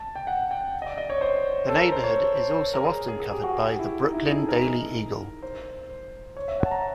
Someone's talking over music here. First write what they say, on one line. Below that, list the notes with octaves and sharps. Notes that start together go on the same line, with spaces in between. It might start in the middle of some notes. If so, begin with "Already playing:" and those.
The neighborhood is also often covered by "The Brooklyn Daily Eagle".
Already playing: A5
G5
F#5
G5
D#5
D5
D#5
C#5
C5
A4
A#4
C5
C#5
A#4
G#4
G#4
G#4
G4
F#4
G4
E4
D#4
E4
D#4
G#4
A4
A#4
C5
C#5
E5
F#5
A5
A#5